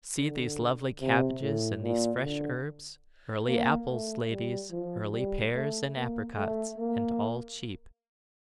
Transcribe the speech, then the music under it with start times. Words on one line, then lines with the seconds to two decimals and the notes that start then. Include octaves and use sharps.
See these lovely cabbages and these fresh herbs! Early apples, ladies; early pears and apricots, and all cheap.
0.19 D3
1.01 C3
1.42 A2
1.83 A#2
2.24 D3
3.47 A#3
3.90 A3
4.31 G3
4.71 F3
5.13 G3
5.54 A3
5.95 A#3
6.36 A3
6.78 A#3